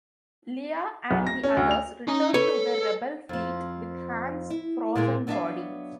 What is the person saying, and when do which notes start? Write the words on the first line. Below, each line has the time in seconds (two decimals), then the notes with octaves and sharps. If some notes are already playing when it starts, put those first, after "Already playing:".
Leia and the others return to the Rebel fleet with Han's frozen body.
1.11 B1
1.27 A#6
1.43 C#4
1.57 D2
1.71 F7
2.08 C#4 D#4 A#5
2.34 A4 B4 C#5
3.29 F2 F3
4.50 E4
4.95 A#2 G#3 A#3 E4 G#4 A#4
5.27 F#3 B3 D4 A4 E5 F5